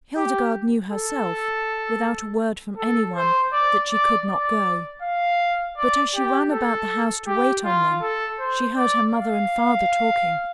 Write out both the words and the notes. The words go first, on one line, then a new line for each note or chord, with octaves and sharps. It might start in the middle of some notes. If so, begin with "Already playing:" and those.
Hildegarde knew herself, without a word from any one, that she could not go; but as she ran about the house to wait on them, she heard her mother and father talking.
G4
A4
A4
C5
D5
D5
D5
F5
D5
G4
A4
G4
F4
A4
C5
D5
F5